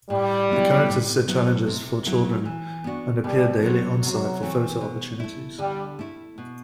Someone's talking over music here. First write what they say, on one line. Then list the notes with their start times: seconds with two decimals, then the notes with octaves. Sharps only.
The characters set challenges for children and appear daily on-site for photo opportunities.
0.10 A2 G3
0.49 F#3 B3 E4
0.89 A2
1.28 F#3 B3 E4
1.67 C3
2.06 F#3 A3 E4
2.45 E3
2.84 B3 D4 F#4
3.24 B2 G3
3.62 F#3 C4 F#4
4.02 C3 F#3
4.41 E3 A3 C4 F#4
4.81 B2
5.20 A3 E4
5.59 D3 G3
5.99 A3 E4
6.38 B2